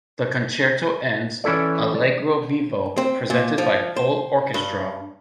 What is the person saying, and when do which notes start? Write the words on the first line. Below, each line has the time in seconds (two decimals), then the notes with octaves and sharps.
The concerto ends "allegro vivo" presented by full orchestra.
1.44 E3 C#4 E4 A4 D5
1.95 D5
2.98 C4
3.30 A#2
3.58 F3
3.96 C5
4.54 G2